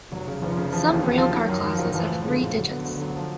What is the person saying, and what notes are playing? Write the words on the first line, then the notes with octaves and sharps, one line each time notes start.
Some railcar classes have three digits.
F1 F#3
C#3
F1 F3
C#3
E3 F3
D#2
D#2
F3
D#3 F#3
F#2
D#3 F3
F#1
E3 F3
A2
D3 G#3
A#1
D3 F#3
B3
D2
F#3
F3